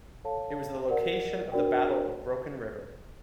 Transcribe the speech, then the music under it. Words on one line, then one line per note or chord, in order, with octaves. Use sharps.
It was the location of the Battle of Broken River.
A4 C#5 F5 A5
F#4 A#4 D5 F#5
D4 F#4 A#4 D5 G5